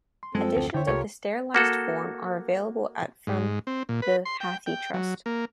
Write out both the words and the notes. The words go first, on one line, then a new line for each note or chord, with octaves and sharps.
Editions of the serialized form are available at from the Hathi Trust.
C6
F#2 F3 G#3 C4 A4
D2
D#2 D3 C5 C#5 E5 G5
C2 F4 G4 A4 A#4 C#5
A#3 F#4 A4
G#2
C4
A#2
B4
C6
G5
G5
F#3
A#3